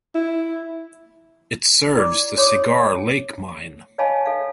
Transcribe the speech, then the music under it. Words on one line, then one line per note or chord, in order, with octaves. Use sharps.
It serves the Cigar Lake Mine.
E4
E4 D5 D6
F#4 C#5 C6 D6 D#6
C#5 D#5 F5 G#5 A5 B5
A4 E5 F5